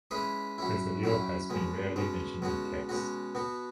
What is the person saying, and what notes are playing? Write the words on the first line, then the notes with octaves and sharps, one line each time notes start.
Bezaliel has been rarely mentioned in texts.
G#3 C#4 E4 G#4 B4
F#3 C#4 E4
F#3 C#4 E4
B2 G#3 C#4
B2 G#3 C#4
B2 G#3 C#4 F#4
B2 G#3 C#4 F#4
B2 B3 F#4